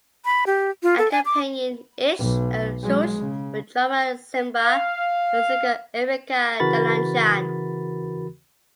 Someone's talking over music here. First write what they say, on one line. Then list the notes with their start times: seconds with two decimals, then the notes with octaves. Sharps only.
Accompanying Esch and Schulz were drummer Ziemba and singer Erica Dilanjian.
0.25 B5
0.46 G4
0.83 F4
0.98 A4
1.12 G#5
1.25 D6
2.19 B1
2.83 F#3 G#3
3.20 C#3
4.58 F5
6.60 C#3 E3 F#4 A#4 B5 A6